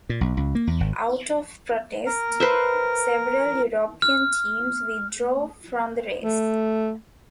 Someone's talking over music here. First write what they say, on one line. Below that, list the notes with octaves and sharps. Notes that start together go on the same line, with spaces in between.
Out of protest, several European teams withdrew from the race.
A#2
B1
C#2
A#3
E2
G#1
A#4
B4 C5 E5
F6
A3